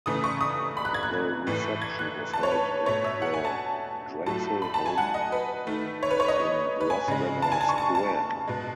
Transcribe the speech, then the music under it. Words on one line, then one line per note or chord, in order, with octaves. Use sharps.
The reception was held at the Drexel home in Grosvenor Square.
C#3 E3 A3 D#6
C#6
D#6
B5
F#6
G#6
F#6
A2 E3 A3
G#6
F#6
A5
C#5
B4
B2 A3 C#5
E5
F#5
G#5
A5
A2 F#3 A3 A5
B5
A5
G#5
F#5
D#5
B4
D#3 A3
C#5
B4
C#5
D#5
B4
G#5
C#3 G#3
A5
G#5
A5
C#6
A5
A5
B2 G#3